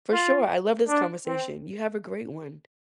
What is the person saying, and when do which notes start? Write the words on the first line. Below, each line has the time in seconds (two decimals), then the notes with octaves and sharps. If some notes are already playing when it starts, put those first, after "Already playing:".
For sure, I love this conversation. You have a great one.
0.13 F4
0.88 D4
1.27 C4